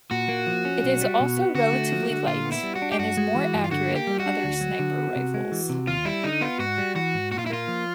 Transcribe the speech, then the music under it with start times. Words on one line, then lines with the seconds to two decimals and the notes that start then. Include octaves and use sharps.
It is also relatively light, and is more accurate than other sniper rifles.
0.11 A#2 F#4
0.29 A#3
0.47 F3
0.65 C#4
0.83 B1
1.02 G3
1.20 B2
1.37 B3
1.55 D3 F#4
1.73 A3
1.92 F3
2.10 D3
2.27 A#2 F4
2.45 B3
2.52 E4
2.63 G3
2.75 F#4
2.82 D4
2.92 G4
2.99 G2 F#4
3.17 G#3
3.35 E3
3.54 G2
3.64 F4
3.71 D3 F#4
3.90 A#3
3.95 G4
4.07 G3
4.20 F#4
4.26 D4
4.44 D2
4.61 F#3
4.79 D3
4.98 B3
5.16 C3
5.34 G#3
5.52 E3
5.69 C3
5.87 D#2 F4
6.05 G3 E4
6.24 D3 D#4
6.41 B3 F4
6.59 G#2 F#4
6.78 G3
6.95 E3 F#4
7.14 G#2
7.31 A#2 F#4
7.39 F4
7.46 E4
7.50 A#3 F4
7.68 F3